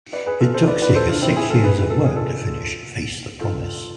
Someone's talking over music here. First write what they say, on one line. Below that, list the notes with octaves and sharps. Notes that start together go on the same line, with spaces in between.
It took Seger six years of work to finish "Face The Promise".
B4 D5
G#4 B4
F4 A4
A4 C5
B4 D5
B4 D5
A4 C5
D4 F4
C4 E4
E4 G#4
F4 A4
G#4 B4
B4
A4
G#4
F4 A4
F4 A4